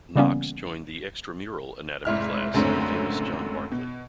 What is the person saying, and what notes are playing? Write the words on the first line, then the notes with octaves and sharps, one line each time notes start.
Knox joined the "extramural" Anatomy class of the famous John Barclay.
C#3 E3 G3 A#3 B3 C#4
F1 G#2 E4 F6
C#2 F#2 A2 D3 C4 C#4
B2